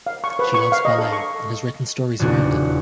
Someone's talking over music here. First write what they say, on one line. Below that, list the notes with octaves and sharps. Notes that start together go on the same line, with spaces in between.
She loves ballet, and has written stories around it.
F5
C#6
B4
C#6
F5
D#5
A4
C#6
D#1 E2 C#3 C4 D4 F#4